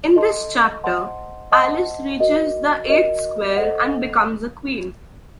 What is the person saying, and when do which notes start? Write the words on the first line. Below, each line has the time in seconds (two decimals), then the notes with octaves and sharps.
In this chapter, Alice reaches the eighth square and becomes Queen.
0.16 A4 D#5 A5 C6
0.84 C5 D#5 F#5 A5 C6
1.52 C5 D#5 F#5 A5 C6
2.20 F#4 A#4 D#5
2.88 F#4 A#4 D#5
3.56 A4 C5 D#5 F#5